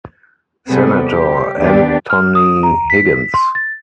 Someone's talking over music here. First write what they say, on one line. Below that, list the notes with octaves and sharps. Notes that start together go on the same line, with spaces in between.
Senator Anthony Higgins.
C3 G3 B3 C4 G#4 A4
G4
D#2 B3 D4 G4 D5
F6
D#6
A#5
B6
C6
A6